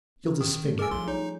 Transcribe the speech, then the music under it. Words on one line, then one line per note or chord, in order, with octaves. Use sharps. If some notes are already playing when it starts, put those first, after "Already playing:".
'You'll disfigure.
C#4 A#4
D#3 D#6
G3 A3 A4
G#4 A#4 D#5 G#5 E6
B1 F3 F4 C6
D#4 C#5